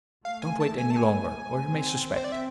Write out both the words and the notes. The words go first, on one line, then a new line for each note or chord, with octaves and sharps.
Don't wait any longer or he may suspect.
A3 F5
G#5
A5
G#5
A5
G#5
C4
C5
D5
E5